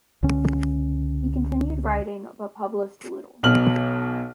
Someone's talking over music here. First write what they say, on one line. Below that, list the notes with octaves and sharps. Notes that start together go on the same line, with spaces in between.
He continued writing but published little.
C#2 D3 C#4
B1 B2 F6 F#7